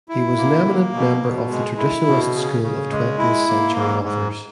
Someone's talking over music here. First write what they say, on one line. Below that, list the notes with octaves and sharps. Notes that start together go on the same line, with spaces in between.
He was an eminent member of the "Traditionalist School" of twentieth-century authors.
E4
A#3
A#3
B2
B2
G#3
E4
B2
C#3
C#3
G#3
E4
A#3
G#2
G#2